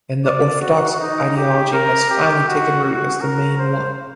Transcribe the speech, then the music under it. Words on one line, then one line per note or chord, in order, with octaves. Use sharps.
And the Orthodox ideology has finally taken root as the main one.
D5
F#4
D#4
G4
A#4
G4
F#4
F#4
A#4
C5